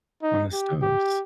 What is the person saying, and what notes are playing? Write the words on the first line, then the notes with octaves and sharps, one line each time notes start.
on the stoves.
D#4
G4
G4